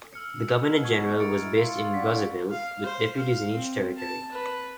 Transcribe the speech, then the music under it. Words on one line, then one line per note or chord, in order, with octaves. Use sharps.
The Governor-General was based in Brazzaville with deputies in each territory.
E6 F6 C#7
B2
C#6 G#6
G#3 E4 A#4 E5 A6 C#7 D7
F4 C#7
D4 F#5 B6
F5
C5
F5
C4
A5
B4